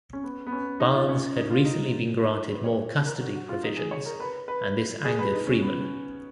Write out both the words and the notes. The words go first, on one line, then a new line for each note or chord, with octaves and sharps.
Barnes had recently been granted more custody provisions and this angered Freeman.
C#4
B3
B3
C#4
D#4
F4
C#4
D#4
F4
D#4
D#4
B4
C#5
A#4
F#4
F#4
F4
D#4
G#4
C#5
A#4
B4
B4
G#4
B4
D#4
C#4
B3